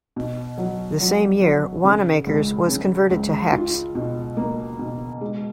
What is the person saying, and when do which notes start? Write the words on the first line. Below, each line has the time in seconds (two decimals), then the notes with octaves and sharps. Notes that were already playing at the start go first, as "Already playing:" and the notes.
The same year, Wanamaker's was converted to Hecht's.
0.16 B2
0.58 F#3
1.00 F#3
1.42 F#3
1.84 C#3
2.27 C#2
2.68 C#3
3.10 C#2
3.53 F4
3.95 B2
4.37 A#3
4.79 B2
5.21 G#3